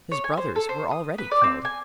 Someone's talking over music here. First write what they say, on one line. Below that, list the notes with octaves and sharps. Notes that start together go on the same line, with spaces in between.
His brothers were already killed.
C#5
G#5
C5
A4
C5
D#6
B4
D5
C4
G#5